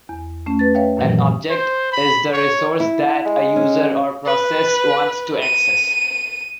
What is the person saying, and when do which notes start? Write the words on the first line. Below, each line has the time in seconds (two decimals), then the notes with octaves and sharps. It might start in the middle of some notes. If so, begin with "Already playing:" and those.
An object is the resource that a user or process wants to access.
0.09 E2
0.46 A3 C#4
0.59 B4 A6
0.75 B4 C#5 E5 F5 G5
0.97 F#2 A#2 D#3 E3 F#3
1.50 C5
1.92 B5
2.33 C#5
2.80 E4
3.25 G#3
3.56 C#4
4.26 B4
5.43 D#7